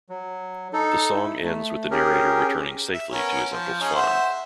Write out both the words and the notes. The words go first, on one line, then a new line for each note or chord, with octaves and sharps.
The song ends with the narrator returning safely to his uncle's farm.
F#3
D#4 A4
E4
A3
C#4 G4 G#4 A#4
E5
B3 C#4 A#4
F3
C#4 D#4 G#4
C5 E5 F#5